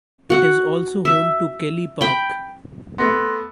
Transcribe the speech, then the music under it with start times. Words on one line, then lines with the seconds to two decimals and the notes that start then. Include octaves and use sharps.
It is also home to Kelly Park.
0.30 F#4 F#5
1.05 E5
2.01 G5 B5
2.98 A3 B3 C6 F#6 A#6